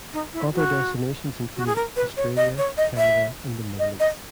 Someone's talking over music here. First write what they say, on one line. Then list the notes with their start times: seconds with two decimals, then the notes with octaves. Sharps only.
Other destinations included Australia, Canada, and the Middle East.
0.13 D#4
0.33 E4
0.54 F#4
1.57 F#4
1.66 G#4
1.76 A#4
1.96 B4
2.17 C#5
2.37 D#5
2.58 C#5
2.77 D#5
2.98 E5
3.79 D#5
4.00 D#5